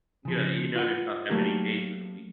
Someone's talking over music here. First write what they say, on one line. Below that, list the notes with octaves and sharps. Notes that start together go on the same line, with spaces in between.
Yeah, you know, there's not that many days in a week,
C#3 F3
F4 B4 F#5
F#3 A3 A#3 D#4 G4